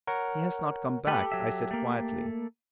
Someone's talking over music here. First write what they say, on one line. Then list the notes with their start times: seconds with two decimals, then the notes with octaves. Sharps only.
"He has not come back," I said quietly.
0.07 A#4 C#5 F#5
1.07 A3 G4 A4 B4
1.32 F#3 E5
1.71 A3 A#3